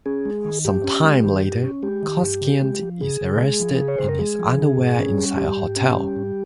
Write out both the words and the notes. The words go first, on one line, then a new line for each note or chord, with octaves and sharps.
Some time later, Costikyan is arrested in his underwear inside a hotel.
C#4 G#4
G#3
D#3
G2 G4
C#4
G#3
D#3
G2
C#4
G#3 G4
D#3
G2
C#3
G#3
F3
C#3 G#4
C#3
G#3
F3
C#3
C#5
C#3 C5
A#4
G#3 G#4
F3
C#3
G#2
C#4
G3
G#2 G4
G#2
C#4
G3
G#2